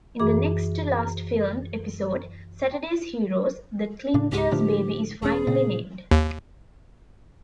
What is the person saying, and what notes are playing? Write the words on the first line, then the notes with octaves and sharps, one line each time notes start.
In the next-to-last filmed episode, "Saturday's Heroes", the Klingers' baby is finally named.
F#2 E3 G#4 D6
A2 C#3 D4
C#2 G#2 G#3 G4
A2 D3 F3
E1 C#4 G#4
A#2 C#3
D#2